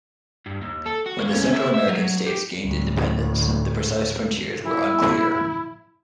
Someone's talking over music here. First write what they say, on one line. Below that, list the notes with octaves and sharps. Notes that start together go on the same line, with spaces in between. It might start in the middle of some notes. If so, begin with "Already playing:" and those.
When the Central American states gained independence, the precise frontiers were unclear.
G2
D#2
A4
F#4
A#3
C#4
E4
E5
F#3
G4
D2 A2
E4